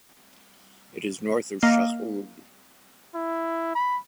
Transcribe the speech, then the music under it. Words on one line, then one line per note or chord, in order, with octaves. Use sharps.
It is north of Shahrud.
A#3 D#5 F5 F6
E4
B5